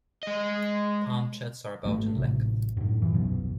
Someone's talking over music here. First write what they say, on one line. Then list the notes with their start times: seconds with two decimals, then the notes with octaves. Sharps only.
Palmchats are about in length.
0.23 G#3 D#5
1.84 G#1 C#3 A3
2.14 A1 C3
2.77 F#2 A2
3.02 F#2 E3
3.14 D#1 B1 F#2 B2